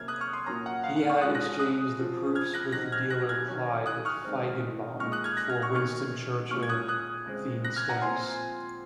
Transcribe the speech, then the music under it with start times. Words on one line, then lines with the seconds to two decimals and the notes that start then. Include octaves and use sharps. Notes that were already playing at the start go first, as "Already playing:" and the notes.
He had exchanged the proofs with dealer Clive Feigenbaum for Winston Churchill themed stamps.
Already playing: C3 F#3 A#3 C#4 F6 G#6
0.08 D#6 F#6
0.21 C#6 F6
0.33 C6 D#6
0.46 A#2 F#3 A#3 C#4 A#5 C#6
0.66 F#5
0.84 F5
0.96 F#5
1.09 C#6 F6
1.21 F3 G#3 C#4 F4 D#6 F#6
1.35 F#6 A#6
1.59 D#6 F#6
1.98 F3 C4 F4
2.35 F6 G#6
2.54 F#6 A#6
2.72 F#3 C4 D#4 F#6 A#6
2.92 F6 G#6
3.10 F#6 A#6
3.29 F6 G#6
3.48 D#3 F#3 C#4
3.86 D#6 F#6
4.05 C#6 F6
4.24 D#3 G#3 C4
4.99 A#2 G#3 D#4 C#6 F6
5.12 D#6 F#6
5.24 F6 G#6
5.37 F#6 A#6
5.49 F6 G#6
5.62 C#6 F6
5.75 D#3 A#3 C#4 C#6 F6
6.51 A#2 G#3 C#4 F4 C#6 F6
6.63 G#6
6.69 D#6 F#6
6.88 D#6 F#6
7.26 C#3 G#3 C4
7.64 F#6 A#6
7.76 F6 G#6
7.89 F#5 A#5
8.02 A#2 F3 C4 F4 G#5 C6